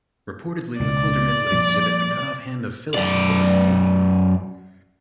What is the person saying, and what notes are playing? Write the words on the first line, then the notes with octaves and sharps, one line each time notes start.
Reportedly, Alderman would exhibit the cut-off hand of Philip for a fee.
C#2 B2 D5
A#2 F3 G3
F#2 D5